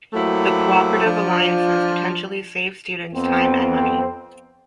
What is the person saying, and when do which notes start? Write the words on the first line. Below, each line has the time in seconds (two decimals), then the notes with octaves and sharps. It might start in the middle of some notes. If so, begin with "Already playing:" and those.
The Cooperative Alliances potentially save students time and money.
0.13 F#3 A3 A#3 E4 G4 C5
1.05 F3 D4 F4
3.14 F2 B3 C4